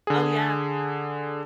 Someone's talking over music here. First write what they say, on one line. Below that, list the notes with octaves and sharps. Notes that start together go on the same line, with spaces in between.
Oh, yeah.
D3 G#4